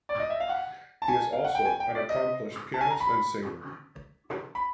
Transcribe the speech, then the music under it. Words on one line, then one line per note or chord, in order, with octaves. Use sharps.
He is also an accomplished pianist and singer.
D5
D#5
E5
F5
F#5
A5
G#5
F5
F#5
G5
G#5
G5
D5
D#5
A5
G#5
A#5
B5
B5